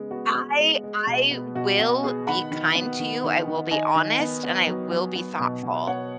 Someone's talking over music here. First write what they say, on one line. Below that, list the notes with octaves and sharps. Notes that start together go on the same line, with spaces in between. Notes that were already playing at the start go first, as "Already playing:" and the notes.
I I will be kind to you. I will be honest, and I will be thoughtful.
Already playing: C#3 G#3 B3
B3 F#4
B3
G#3
G#3
B2
B3
B2 F#4
B2 F#4
B3 G#4
D#3 F#5 B5
D#3
B3
D#3
D#3
D#3
D#3 D#5 G#5
D#3
B3
B3
F#3
F#3
B3
B2
B2
B3 C#5 F#5